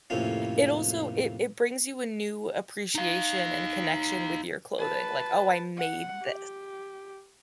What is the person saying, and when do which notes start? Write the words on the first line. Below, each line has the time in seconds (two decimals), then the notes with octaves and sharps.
It also it it brings you a new appreciation and connection with your clothing, like, oh, I made this.
0.10 F2 A2 C3 A#3 C#4
2.95 D#4 F5
4.79 B4 A5
5.77 F#5
6.22 G4